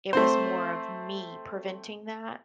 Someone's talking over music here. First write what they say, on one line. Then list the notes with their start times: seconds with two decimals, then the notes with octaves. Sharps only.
it was more of me preventing that
0.13 A3 C4 C5